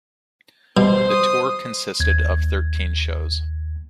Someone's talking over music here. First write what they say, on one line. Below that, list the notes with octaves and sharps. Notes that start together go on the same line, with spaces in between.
The tour consisted of thirteen shows.
B2 G3 C5 C6
D#6
D#2 G#6